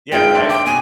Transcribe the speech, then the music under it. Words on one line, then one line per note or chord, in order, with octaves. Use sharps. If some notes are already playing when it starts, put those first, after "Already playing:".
Yeah, right?
G#3 D#4 F4 G5
D4 E5 C6
G5 D6
B2 G#5